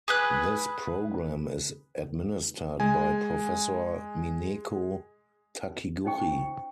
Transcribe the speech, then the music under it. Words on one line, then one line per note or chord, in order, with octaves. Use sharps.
This program is administered by Professor Mineko Takiguchi.
G#4 B4 F#6
G#3 G#5
C#4 D#4 C5 G5 C#6